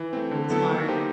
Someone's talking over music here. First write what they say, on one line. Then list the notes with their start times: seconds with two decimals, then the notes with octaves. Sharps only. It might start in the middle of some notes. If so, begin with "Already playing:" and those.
it's hard.
Already playing: E3
0.13 A3 C4
0.31 D3
0.50 F#3 B3 E4 A4
0.69 A#3
0.88 D#4 G4 C5